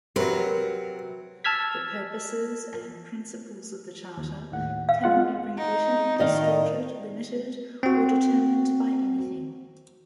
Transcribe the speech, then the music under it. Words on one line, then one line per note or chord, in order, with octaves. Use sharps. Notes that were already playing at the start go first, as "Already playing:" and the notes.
The purposes and principles of the Charter cannot be rewritten, distorted, limited or determined by anything.
C3 F#3 A#4 B4
A5 E6 F6 G#6 B6
D#2
D#2 A2 F#5
F5
G#3 F4 F#5
D#4
A2 D#3 D5 D#5 F5
C4 F#4